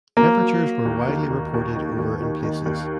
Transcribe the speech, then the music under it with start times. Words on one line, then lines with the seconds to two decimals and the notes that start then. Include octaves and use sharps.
Temperatures were widely reported over in places.
0.17 F#3 A#3
0.40 F#3
0.62 F#3
0.85 D#2
1.08 D#3
1.30 D#2
1.54 D#2
1.75 D#3
1.98 D#2
2.21 D#3
2.43 D#3
2.66 D#2